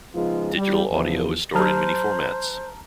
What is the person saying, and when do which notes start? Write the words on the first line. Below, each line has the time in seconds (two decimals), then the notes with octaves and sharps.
Digital audio is stored in many formats.
0.15 C#3 F3 G#3 B3 D#4 F4
0.55 G3
0.91 E2 F3
1.55 F#3 G4 C5 A5 A#5 F6